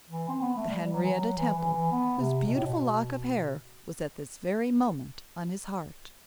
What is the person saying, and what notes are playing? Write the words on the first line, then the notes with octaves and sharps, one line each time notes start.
The Henrietta Temple whose beautiful lock of hair was at this very moment on his heart!
E3
C4
B3
A3
G3
G3
F#3
E3
F#3
E3
E3
E3
B3
C3
B2
A2
B2